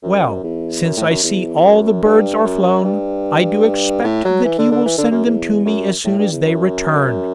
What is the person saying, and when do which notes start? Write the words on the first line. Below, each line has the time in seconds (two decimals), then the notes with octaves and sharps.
Well, since I see all the birds are flown, I do expect that you will send them to me as soon as they return.
0.03 F#2
0.44 E2
0.84 F#2
0.97 A2
1.10 F#2
1.24 E2
1.63 F#2
2.04 G2
2.44 F#2
2.84 G2
4.04 A2
4.25 F#3
4.45 E3
4.58 D3
4.71 D3
4.85 E3
4.98 D3
5.11 F#2
5.25 E2
5.65 F#2
6.05 A2
6.19 G2
6.32 E2
6.45 F#2